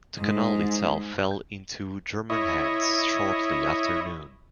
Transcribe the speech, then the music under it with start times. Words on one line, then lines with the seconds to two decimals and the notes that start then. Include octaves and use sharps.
The Canal itself fell into German hands shortly after noon.
0.17 G#2
2.30 E4 C#5 D#5